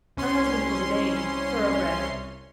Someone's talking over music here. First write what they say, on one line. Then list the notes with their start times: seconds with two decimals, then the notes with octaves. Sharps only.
Her husband was a Dane, thoroughbred.
0.17 C2 C#4 C6